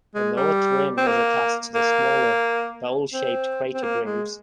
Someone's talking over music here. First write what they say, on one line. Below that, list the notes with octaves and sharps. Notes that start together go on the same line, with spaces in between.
The north rim is attached to the smaller, bowl-shaped crater Greaves.
G#3
G3
C4
A#3
A#3
C4
C4
A#3
G#3